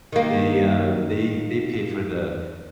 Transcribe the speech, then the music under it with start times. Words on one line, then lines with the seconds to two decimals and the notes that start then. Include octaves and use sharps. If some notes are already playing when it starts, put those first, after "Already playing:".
they, uh, they they paid for the
0.12 D#3 A#3